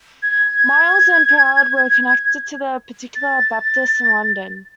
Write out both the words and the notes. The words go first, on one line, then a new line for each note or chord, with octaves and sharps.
Myles and Proud were connected to the Particular Baptists in London.
G#6
A6